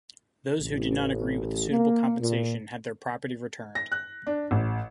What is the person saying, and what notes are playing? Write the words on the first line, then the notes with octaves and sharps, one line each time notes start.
Those who did not agree with the suitable compensation had their property returned.
A1
A#3
A#2
A#6
F#6
D4
A1